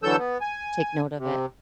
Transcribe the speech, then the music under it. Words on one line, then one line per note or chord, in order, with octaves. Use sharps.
take note of it.
D3 E3 F#3 A4 E6 G6
B3
G#5
C3